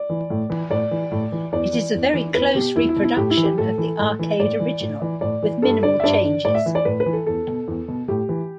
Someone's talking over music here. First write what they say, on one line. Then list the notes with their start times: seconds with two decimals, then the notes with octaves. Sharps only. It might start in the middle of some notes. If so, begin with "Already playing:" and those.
It is a very close reproduction of the arcade original, with minimal changes.
Already playing: D5
0.10 E3
0.30 A2
0.50 E3
0.70 A2 D5
0.91 E3
1.11 A2
1.32 E3
1.52 E2 D5
1.73 E3
1.94 E2
2.14 E3
2.34 E2 B4
2.55 B2 G4
2.75 E2 E4
2.89 E4
2.96 B2
3.04 E4
3.17 A2 G4
3.30 E4
3.37 E3
3.44 G4
3.58 A2 A4
3.78 E3
3.99 A2
4.19 E3
4.40 A2 D5
4.60 E3
4.80 A2
5.02 E3
5.21 A2 D5
5.42 E3
5.62 G2 A4
5.83 D3 D5
6.00 E5
6.04 G2 D5
6.24 D3
6.45 A2 D5
6.55 E5
6.66 E3
6.75 D5
6.85 A2 B4
7.00 B4
7.06 E3
7.13 A4
7.26 E2 A4
7.47 B2
7.68 E2
7.88 B2
8.08 A2 G4
8.29 E3